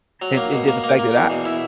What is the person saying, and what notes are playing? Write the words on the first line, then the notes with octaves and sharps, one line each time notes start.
and and just the fact that I
F#3
A#3
B2
A#3
A#3
A#3
E2
B2
E4